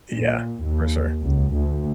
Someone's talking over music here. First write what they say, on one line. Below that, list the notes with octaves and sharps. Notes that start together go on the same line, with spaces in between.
Yeah. For sure.
A#2
D#2
C#2
D2